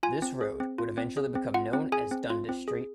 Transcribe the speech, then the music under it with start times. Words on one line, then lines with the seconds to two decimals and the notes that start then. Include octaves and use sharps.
This road would eventually become known as Dundas Street.
0.03 F4 G#5
0.22 C4
0.41 G#4
0.60 C4
0.78 F4
0.98 C4
1.17 G#4
1.35 C4
1.54 F4 F#5
1.73 C4
1.92 G#4 G#5
2.11 C4
2.30 F4
2.49 C4
2.68 G#4